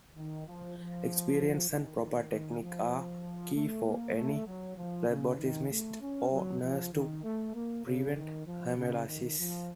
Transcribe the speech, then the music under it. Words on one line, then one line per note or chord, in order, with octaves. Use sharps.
Experience and proper technique are key for any phlebotomist or nurse to prevent hemolysis.
D#3
F3
F3
D#3
D#3
D#3
F3
A3
A#3
A3
F#3
F3
C#3
D#3
A3
C#4
F#3
F3
D#3
A3
A#3
C#3
D#3
F3
C#3
D#3
F3